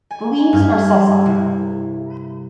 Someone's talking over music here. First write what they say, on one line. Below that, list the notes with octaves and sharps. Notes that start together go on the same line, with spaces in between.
The leaves are sessile.
G#5
G2 F5 G#6
C3 E4